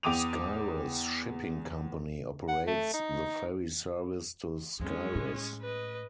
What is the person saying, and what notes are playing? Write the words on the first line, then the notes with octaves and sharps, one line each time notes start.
Skyros Shipping Company operates the ferry service to Skyros.
E2 G5 D6 D#6 D#7 F7
F#5
A3
D#4
F2 G#3 C#4 D4
A2
B4 D#5